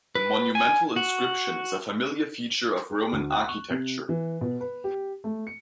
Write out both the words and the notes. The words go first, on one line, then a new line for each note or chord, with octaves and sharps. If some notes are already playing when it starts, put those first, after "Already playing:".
The monumental inscription is a familiar feature of Roman architecture.
B4
G#5
F#4
G#4
D2
F#6
C#6
C3
E3
B2
B4
G4
A3
C#7